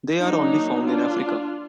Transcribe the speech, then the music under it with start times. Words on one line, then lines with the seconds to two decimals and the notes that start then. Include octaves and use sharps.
They are only found in Africa.
0.20 F#3 A#3 D4 D#4
0.86 D4 F4